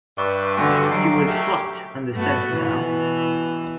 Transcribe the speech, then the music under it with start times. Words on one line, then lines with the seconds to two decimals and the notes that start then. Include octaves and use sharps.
He was hot on the scent now.
0.18 G2 B4 D5 E5 C#6
0.57 D3 F#4 G#5 E6
0.91 F#3 D#4 G4 F5 C7 D7
1.27 F#3 A3 G4 A#4
2.12 G2 A3 B3 F#4
2.51 B2 E3